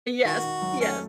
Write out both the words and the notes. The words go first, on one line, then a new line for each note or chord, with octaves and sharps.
Yes. Yes.
D#3 F#4
D#3
F#3
A3 C#4